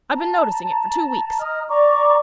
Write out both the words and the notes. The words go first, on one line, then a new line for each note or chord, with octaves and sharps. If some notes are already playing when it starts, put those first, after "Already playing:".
I've been noticing it for two weeks.
A5 A#5
D#5 A#5 D#6 F6
D5 A#5 C#6 D6